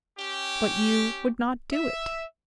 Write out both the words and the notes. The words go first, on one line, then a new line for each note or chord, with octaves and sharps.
But you would not do it.
C#4 G4
E5